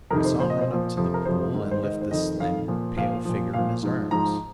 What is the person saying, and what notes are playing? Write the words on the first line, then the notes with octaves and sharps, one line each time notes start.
I saw him run up to the pool and lift the slim, pale figure in his arms.
F2 C3 D#3 A#4
C5
A#2 F3 C5
D#5
C5
A#2
F3
F2 C3 F3
A#4
F2 C3 F3 C5
G#2 D#3
C5
G#2 D#3 D#5
C5
F2 D#3 D#5
F2 D#3 F5
A#2 F3
A#2 F3 F5
A#2 F3
A#2 F3 F5
G#2 F3
G#2 F3 A#5